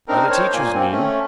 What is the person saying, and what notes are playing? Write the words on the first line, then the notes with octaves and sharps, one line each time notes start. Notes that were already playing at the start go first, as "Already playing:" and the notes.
"Are the teachers mean?"
C4 D4 D#4 A#4
C5 C#5
A#2 A#3 G#5
C4
A3 C#4